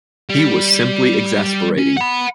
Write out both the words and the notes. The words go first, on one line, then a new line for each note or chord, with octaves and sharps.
He was simply exasperating.
G3
C#4
F#5 B5